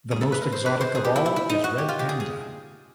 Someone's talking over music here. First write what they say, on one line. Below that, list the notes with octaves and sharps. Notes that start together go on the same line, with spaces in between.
The most exotic of all is Red Panda.
G#4
A4
B4
A#4
C5
B4
C5
G#4
G4
E4
E4
E4
D#4
F#4
G4
F4
G4
G#4
G#4